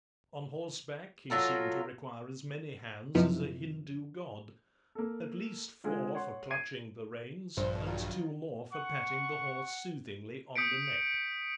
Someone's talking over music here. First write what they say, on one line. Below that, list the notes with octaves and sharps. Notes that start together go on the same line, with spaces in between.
On horseback he seemed to require as many hands as a Hindu god, at least four for clutching the reins, and two more for patting the horse soothingly on the neck.
F#3 F4 A4 A#4
F#2 C3 F3 B3 D#4 E4
A#3 A4
D3 G#3 F4 G#4
C#5 F#5 C6
G#6 C7 D7 D#7
A#1 G2 C5
B2
D#3 F#3 F4
F#5 C#6
D#6 G6 B6 C#7 D7